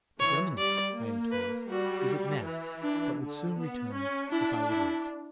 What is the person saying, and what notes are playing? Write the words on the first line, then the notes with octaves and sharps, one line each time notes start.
"His Eminence," I am told, "is at Mass, but would soon return, if I would wait."
E3 C#5
G3 D5
A#3
B4
G3 F#4
E3
D4
D3
B3
C#4
D4 E4
E4